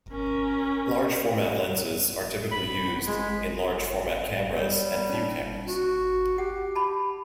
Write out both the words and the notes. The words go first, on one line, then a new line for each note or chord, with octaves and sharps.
Large format lenses are typically used in large format cameras and view cameras.
C#4 A#4
B5
G#3
G3 C#5
C#4 D#4
F#4
G4 F#5
A5 B5